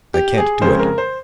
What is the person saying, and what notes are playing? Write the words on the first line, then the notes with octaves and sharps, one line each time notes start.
I can't do it.
G4
G#4
F2 C#3 G#3 C5
A#4
C5